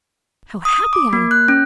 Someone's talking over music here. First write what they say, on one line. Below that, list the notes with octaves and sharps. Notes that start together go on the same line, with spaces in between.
How happy I am!
D#6
D6
A#3
F#6
C#4